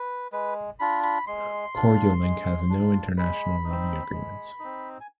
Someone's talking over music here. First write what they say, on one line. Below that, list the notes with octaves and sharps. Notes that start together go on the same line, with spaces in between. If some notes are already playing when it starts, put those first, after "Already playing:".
Koryolink has no international roaming agreements.
Already playing: B4
G#3 B4
D4 F4 B5
B5
G#3 C6
D4 F4
G#3
D4 F4
G#3 B5
D#4
C4
G#3
C4 D#4
G#5